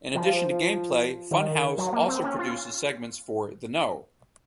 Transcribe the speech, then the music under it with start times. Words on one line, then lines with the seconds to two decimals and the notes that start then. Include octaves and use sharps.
In addition to gameplay, Funhaus also produces segments for The Know.
0.15 F3
1.31 D#3
1.78 F#3
1.93 A#3
2.08 C4
2.24 C#4
2.39 F4